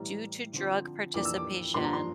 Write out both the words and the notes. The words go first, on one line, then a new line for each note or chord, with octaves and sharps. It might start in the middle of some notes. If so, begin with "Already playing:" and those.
due to drug participation.
Already playing: A2 E3 G3 A#5
D3 F3 C4
F2 E3 A#3 D4 D6
E6
D6
G2 F3 A#3 D4 C6
A#5
C6